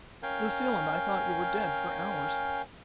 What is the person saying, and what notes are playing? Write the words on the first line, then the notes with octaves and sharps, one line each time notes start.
Lucille and I thought you were dead for hours.
C#4 A#4 F5 G5 G#5